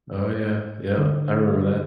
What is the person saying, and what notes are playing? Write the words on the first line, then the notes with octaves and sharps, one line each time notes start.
Oh, yeah, yep, I remember that.
D3